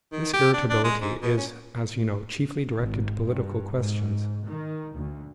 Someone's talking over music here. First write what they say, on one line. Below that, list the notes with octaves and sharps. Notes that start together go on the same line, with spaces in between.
This irritability is, as you know, chiefly directed to political questions.
D#3
G4
D4
D4
G#3
G#2
B2
C#4
G#1
G2
G#2
D#3
D2